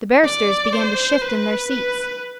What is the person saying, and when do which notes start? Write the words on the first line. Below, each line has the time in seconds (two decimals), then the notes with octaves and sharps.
The barristers began to shift in their seats.
0.24 D5
0.73 C5
1.22 B4
1.71 B4